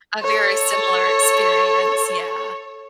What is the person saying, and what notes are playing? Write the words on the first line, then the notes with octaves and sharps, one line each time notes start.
A very similar experience, yeah.
A4 C#5